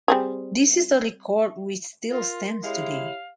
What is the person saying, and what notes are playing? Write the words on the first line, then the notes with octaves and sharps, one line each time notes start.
This is a record which still stands today.
G3 C4 G#4
F4 A#4 C6
G#3 E4 G4 C#5 F5